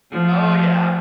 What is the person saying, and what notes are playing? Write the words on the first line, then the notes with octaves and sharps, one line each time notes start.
Oh, yeah.
F3 A3